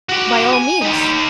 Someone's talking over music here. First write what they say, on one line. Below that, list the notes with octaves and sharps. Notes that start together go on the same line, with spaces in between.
"By all means."
F#4 G4
G#5
D#4 G4